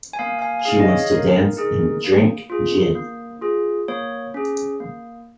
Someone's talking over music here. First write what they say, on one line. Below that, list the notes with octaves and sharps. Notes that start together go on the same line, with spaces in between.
She wants to dance and drink gin.
G#5
A#3 F5
F5
G#5
G#5
D#4 G#4 F5
D#5
C#5
A#3 A#4
D#4 G#4
A#3
F4 G#4
A#3
F4 G#4
A#3 C#5
C#4 G#4
A#3